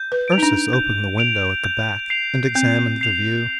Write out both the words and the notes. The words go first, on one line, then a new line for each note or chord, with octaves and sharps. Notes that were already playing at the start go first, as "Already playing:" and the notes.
Ursus opened the window at the back and examined the view.
Already playing: G6
B4
D7 F7
D#4
D4
G6
D7 F7
G6
C7 F7
C4 G6
C7 F7